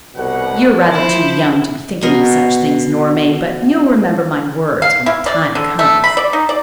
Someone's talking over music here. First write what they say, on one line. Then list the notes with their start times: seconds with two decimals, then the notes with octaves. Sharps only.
You're rather too young to be thinking of such things, Nora May, but you'll remember my words when the time comes.
0.15 C2 B2 F#5
0.90 F3 E4 C5
2.03 B2 A#4 D#5
4.82 F5
5.06 E4
5.26 D5
5.55 D3
5.79 A3
6.04 B5
6.17 D5
6.33 D#4
6.49 D5